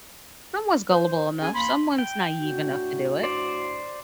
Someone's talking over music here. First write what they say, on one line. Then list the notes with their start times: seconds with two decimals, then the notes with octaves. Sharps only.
Someone's gullible enough, someone's naive enough to do it.
0.91 C5
1.42 C#4 G#4 G#5
1.54 A#3 B5 C6
1.98 G5
2.43 A2 D4 F#4
3.23 C5 D5